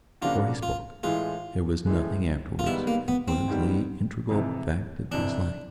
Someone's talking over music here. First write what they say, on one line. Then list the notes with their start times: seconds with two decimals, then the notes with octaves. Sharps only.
Before he spoke, there was nothing; afterwards, it was the integral fact of his life.
0.21 C#3 F3 A#3 D4 F4 F#4
0.63 F4
1.03 A2 E3 G#3 F4
1.86 A2 E3 G#3
2.59 F4
2.66 G#2 D#3 G3 B3 E4
2.87 A#3
3.08 B3
3.28 C4
3.48 G#2 D#3 G3 B3
4.30 F2 C3 E3
5.11 F2 C3 E3 D4